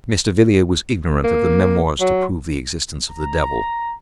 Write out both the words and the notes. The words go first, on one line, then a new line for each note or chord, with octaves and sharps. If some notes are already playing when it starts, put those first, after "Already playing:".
Mr. Villiers was ignorant of the "Memoirs to prove the Existence of the Devil."
A#3
F#3
A#5